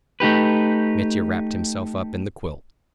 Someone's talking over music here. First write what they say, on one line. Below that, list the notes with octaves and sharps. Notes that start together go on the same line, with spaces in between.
Mitya wrapped himself up in the quilt.
A3 D#4 G4 B4